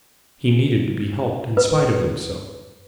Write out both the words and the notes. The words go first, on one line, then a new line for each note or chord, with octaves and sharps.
He needed to be helped in spite of himself.
B4